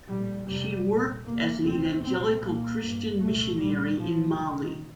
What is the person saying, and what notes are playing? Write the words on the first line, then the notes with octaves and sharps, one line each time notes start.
She worked as an Evangelical Christian missionary in Mali.
A#1 A2 G3
F1 F2 C3 G3
C2 A#2
F1 D#2 A#3
D2 C3 C4
C2 A#2 C4
C2 A#2 A#3
A1 G2
C2 A#2 A3
A#1 A2 G3
A1 A2 F3
C2 A#2 D#3